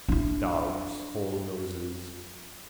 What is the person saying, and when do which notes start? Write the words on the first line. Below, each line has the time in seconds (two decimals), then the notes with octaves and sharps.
Dogs' cold noses.
0.08 D4 E4